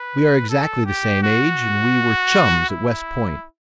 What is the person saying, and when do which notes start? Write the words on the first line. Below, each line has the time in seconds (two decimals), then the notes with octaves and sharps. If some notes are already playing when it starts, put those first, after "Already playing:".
We are exactly the same age, and we were chums at West Point.
Already playing: B4
0.50 A4
0.86 G4
1.23 F#4
2.69 E4